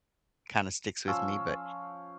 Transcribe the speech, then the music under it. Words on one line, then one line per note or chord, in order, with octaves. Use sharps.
kinda sticks with me, but
F3 C#4 F5 E6